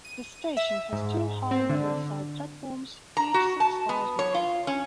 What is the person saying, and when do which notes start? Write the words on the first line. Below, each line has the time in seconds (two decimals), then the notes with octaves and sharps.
This station has two high-level side platforms each six cars long.
0.05 D#7
0.57 E5
0.92 G#2
1.51 C4
1.69 D3
3.17 A#5
3.34 F#4
3.60 A5
3.89 B3
4.19 C#5
4.34 F4
4.67 C#4